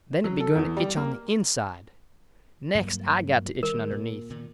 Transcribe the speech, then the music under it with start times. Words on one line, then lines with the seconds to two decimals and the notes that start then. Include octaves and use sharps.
Then it begun to itch on the inside. Next I got to itching underneath.
0.24 F#3
0.40 A4
0.56 E2
0.77 G3
0.96 A#3
2.75 G2 F#3 A#3
3.63 D#3 G3 A#4
3.91 A#2
4.30 A#2 D#3